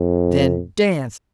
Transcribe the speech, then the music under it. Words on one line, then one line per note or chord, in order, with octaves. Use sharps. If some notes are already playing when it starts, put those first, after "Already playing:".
Then dance!
Already playing: F2